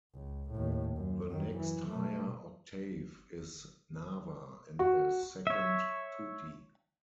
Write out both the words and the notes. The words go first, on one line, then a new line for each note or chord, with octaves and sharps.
The next higher octave is "nawa" and the second "tuti".
C#2
D#2 A2
F#2
F#2 D#3
E3
B2 A3
F#4
C#5 E5